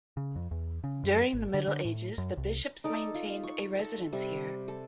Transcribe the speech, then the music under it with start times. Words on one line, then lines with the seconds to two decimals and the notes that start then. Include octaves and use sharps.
During the Middle Ages the bishops maintained a residence here.
0.17 C#3
0.36 F2
0.51 E2
0.84 C#3
1.04 F#2
1.33 G#1
1.54 D3
1.68 D3
1.85 A2
2.18 F#2
2.37 C2
2.84 D#4 A4 D5
3.14 F4
3.43 C#6
3.79 A4
4.13 C3 G3
4.68 A4